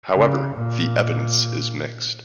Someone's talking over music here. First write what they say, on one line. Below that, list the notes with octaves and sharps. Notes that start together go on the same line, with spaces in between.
However, the evidence is mixed.
C#3
A#2